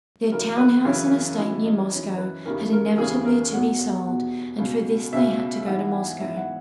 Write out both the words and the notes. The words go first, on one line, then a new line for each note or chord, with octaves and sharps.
Their town house and estate near Moscow had inevitably to be sold, and for this they had to go to Moscow.
G#4
F#2 C#3 E3 A#4
B4
F#2 C#3 E3 C#5
F#2 E3 D#5
D#5
F#2 E3 C#5
C#5
B4
D#2 C#3 E3 A#4
A#4
D#2 C#3 E3 G#4
A#4
E2 B2 F#5
F#5
E2 B2 F#5
C#2 B2
C#2 B2 E5
G#2 E3 F#5
F#5
G#5
G#2 E3 E5
E5
F#5